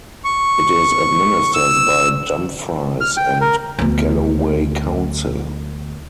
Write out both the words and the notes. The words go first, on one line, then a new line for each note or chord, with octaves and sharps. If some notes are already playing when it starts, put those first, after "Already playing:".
It is administered by Dumfries and Galloway Council.
C#6
E6
F6
G5
A#4
D2 B3